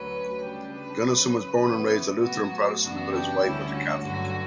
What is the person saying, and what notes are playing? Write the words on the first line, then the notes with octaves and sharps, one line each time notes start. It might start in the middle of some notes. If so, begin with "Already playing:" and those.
Gunnarsson was born and raised a Lutheran Protestant, but his wife was a Catholic.
Already playing: D2 D3 F#3 C#4 B4
C#3 G3 D4 G4
B4
C#3 F#3 C#4
C#3 E3 B3 B4
A2 F#3 B3 F#4
F#4
F#2 C#3 E3 B3 D4 F#4
G4
D2 D3 G3 C#4 E4
F#4
G2 D3 F#3 F#4